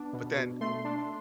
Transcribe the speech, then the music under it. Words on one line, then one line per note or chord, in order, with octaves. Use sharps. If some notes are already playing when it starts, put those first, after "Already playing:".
but then
Already playing: B3 D4
B2
B2
A3 C6
D4